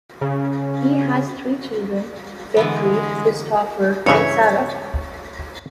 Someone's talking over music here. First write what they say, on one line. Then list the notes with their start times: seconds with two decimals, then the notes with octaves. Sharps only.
He has three children: Jeffrey, Christopher and Sarah.
0.21 C#3
2.57 D3 E3 G#3 B3
4.06 G2 C#3 E3 C#5 E5